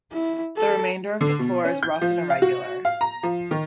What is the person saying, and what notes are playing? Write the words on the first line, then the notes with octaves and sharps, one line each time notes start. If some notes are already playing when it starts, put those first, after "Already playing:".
The remainder of the floor is rough and irregular.
E4
A4
D3
B2
C#4
G6
F3
F5
F#4
F5
A#5
F3
D#3